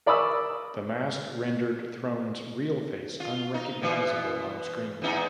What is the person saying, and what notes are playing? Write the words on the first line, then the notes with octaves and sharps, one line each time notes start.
The mask rendered Throne's real face unrecognizable on screen.
A#4 D5 B5 C#6 D#6 E6
F4
D#4
B2 E3
E2 D#4 E4